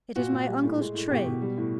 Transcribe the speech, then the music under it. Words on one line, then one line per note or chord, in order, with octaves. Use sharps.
"It is my uncle's trade."
A#2 F#4
A#2
G3
A2
G#3
A2
B2 G4
B2
G3
A2